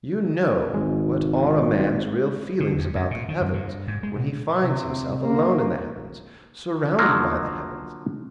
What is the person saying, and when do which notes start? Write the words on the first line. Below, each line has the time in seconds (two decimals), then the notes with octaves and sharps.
You know what are a man's real feelings about the heavens, when he finds himself alone in the heavens, surrounded by the heavens.
0.74 G#1 G#3
2.60 D3
2.78 F2
2.95 F#2
3.11 A#2
3.29 D#3
3.41 F#2
3.54 G2
3.88 G#2
4.03 G#3
4.16 B2
4.61 C3
5.23 A#3
6.99 D3 F3 F#3 A#3 B3